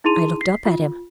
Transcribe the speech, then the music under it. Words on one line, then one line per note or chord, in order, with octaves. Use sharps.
I looked up at him.
D#4 E4 G#4 C6 D#7 F7
B6 C7
F4